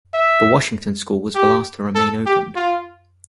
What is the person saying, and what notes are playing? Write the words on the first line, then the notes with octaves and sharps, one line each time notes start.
The Washington School was the last to remain opened.
E5
G4
A4
G4
F4